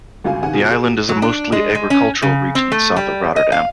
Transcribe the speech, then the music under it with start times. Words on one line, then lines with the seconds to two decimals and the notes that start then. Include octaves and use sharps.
The island is a mostly agricultural region, south of Rotterdam.
0.24 G1 C#2 F#4 F5 G#5
0.42 C3 D#3 F#5 G#5
0.54 B2 F4 F#4
0.68 G#4 D7
0.84 F#4
1.09 F#3
1.22 D4
1.52 G#3
1.75 G#3
1.90 C#4
2.22 C#3
2.55 C4
2.72 A3
2.96 G3
3.36 D#5
3.52 F5